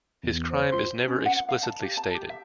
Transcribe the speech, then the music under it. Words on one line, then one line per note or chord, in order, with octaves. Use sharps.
His crime is never explicitly stated.
E2
C5
F4 C6
C#4
F#5
F5
A5
G4
A5
G4
E5